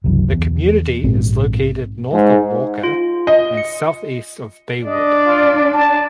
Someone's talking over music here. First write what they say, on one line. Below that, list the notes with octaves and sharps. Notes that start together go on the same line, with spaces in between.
The community is located north of Walker and southeast of Baywood.
F#1 C2 F#2 E3
E2
A#1 G#2 C4
G#2
F4
D#5
C#7
D4 D5 D#5
F4
A5